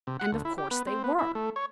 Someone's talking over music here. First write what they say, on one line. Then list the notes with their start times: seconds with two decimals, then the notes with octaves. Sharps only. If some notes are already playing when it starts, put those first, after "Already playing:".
And of course they were.
0.07 C3
0.20 F#5
0.32 D2
0.45 E4
0.58 G4
0.71 B3
0.87 C4
1.04 B3
1.19 E4
1.35 A3
1.56 C#5